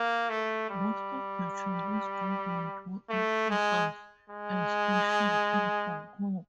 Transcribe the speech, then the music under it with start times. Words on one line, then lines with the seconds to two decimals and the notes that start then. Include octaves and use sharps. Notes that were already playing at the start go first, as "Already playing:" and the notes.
Most of the Chinese graduates were officers and stationed in Hong-Kong.
Already playing: A#3
0.30 A3
0.70 G3
3.10 A3
3.50 G#3
4.30 G#3